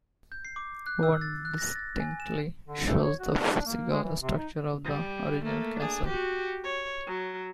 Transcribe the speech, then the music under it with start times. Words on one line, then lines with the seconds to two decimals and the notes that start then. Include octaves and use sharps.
One distinctly shows the physical structure of the original castle.
0.32 G6
0.45 C7
0.56 D6
0.86 F#6
1.03 E6
1.21 A6
1.45 F#6
1.58 A#6
1.76 A6
2.00 G#5
2.20 E7
2.67 D3
2.86 A3
3.03 C#5
3.20 F#4
3.33 D4
3.66 A#3
3.91 G#3
4.03 E3
4.21 C3
4.37 D#4
4.84 G3
5.45 A3 A#3
5.77 D4 G#4
6.08 F#4 G4
6.64 C#5
7.07 F#3